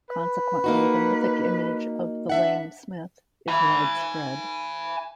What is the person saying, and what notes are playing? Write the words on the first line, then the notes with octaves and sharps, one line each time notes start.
Consequently, the mythic image of the lame smith is widespread.
B4
A#3 D#4 F#4
D4 E5 F#5
G#5 B5